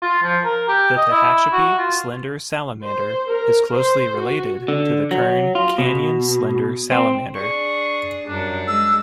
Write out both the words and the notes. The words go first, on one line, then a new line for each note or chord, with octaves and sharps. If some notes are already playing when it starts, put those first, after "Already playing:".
The Tehachapi slender salamander is closely related to the Kern Canyon slender salamander.
F4
F3
A#4
G4
D#5
E4
F#4
F4
C5
A#4
C5
F#4
D3
F#3
F4
B2
C4
D4 G#4 C#6
F#2 G3 D4
G#3 E6